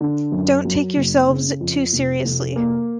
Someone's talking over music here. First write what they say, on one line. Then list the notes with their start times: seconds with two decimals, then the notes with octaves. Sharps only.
Don't take yourselves too seriously.
0.01 D3
0.32 F#2
0.65 F#3
0.96 F#1
1.28 C#3
1.60 F2
1.93 F1
2.25 F1
2.56 A#3